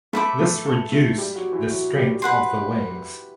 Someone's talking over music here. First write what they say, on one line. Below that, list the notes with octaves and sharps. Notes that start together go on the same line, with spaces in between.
This reduced the strength of the wings.
A3 A4 B4 E5 B5 D6
A3 A4
A4
A3 A4
G3 G4
F#3 F#4
E3 E4
F#3 F#4
G3 G4
B4 F#5 C6